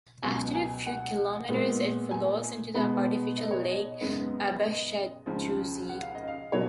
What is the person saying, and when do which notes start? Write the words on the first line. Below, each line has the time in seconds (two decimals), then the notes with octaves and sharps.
After a few kilometers it flows into the artificial lake Aabachstausee.
0.22 C#2 B2 F#3 G#5
0.55 G#5
0.86 F#5
1.49 A#2 G#3 B3
2.11 G#5
2.74 B2 G#3 B3 B5
3.37 D#5
3.51 C#5
3.63 D#5
4.01 F#2 C#3 G#3 B3
4.63 D#5
5.26 C#2 C#3 F3
5.89 F#5
6.02 F5
6.15 D#5
6.28 F5
6.52 B2 F#3 C#5